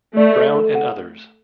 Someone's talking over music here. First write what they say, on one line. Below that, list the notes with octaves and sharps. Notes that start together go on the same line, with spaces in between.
Brown and others.
A3 D5
A4
A4
F#5